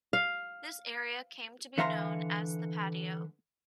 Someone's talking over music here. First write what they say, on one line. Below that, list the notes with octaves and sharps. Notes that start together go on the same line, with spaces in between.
This area came to be known as "The Patio".
F5
D3 E3 E5 F5 A#5 C6